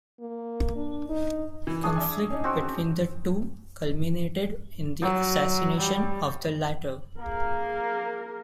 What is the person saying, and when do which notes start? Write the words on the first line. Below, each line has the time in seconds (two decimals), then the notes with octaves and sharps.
Conflict between the two culminated in the assassination of the latter.
0.20 A#3
0.76 D4
1.09 D#4
1.67 E3
1.84 D4 G#4 C#6 D#6
1.96 D5 E5 G#5
2.31 C#4 D#4
2.44 C4 F#4
5.02 F#3
5.80 G3
7.19 A#3 G#4 A#4